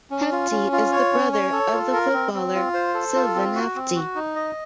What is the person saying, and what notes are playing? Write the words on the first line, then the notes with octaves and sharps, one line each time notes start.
Hefti is the brother of the footballer Silvan Hefti.
C#4
F4
C#4
F4
C#5
C#4
C#5
A4
F4
A#4
C4
C4
F4
C5
A4
F4
C4
F#4
C4
F#4
D#4
D#5